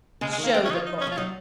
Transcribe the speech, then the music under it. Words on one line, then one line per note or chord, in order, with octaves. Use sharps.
"Show the book."
C#3 G#3
G#3
D#3
A#3
F3 C4
C#4
F3 D#4
F4
D#4
D#4
C#4
F3 F4
F#3 D#4